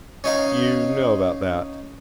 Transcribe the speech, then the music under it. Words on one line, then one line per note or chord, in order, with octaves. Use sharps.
"You know about that?"
C#4 D#4 F5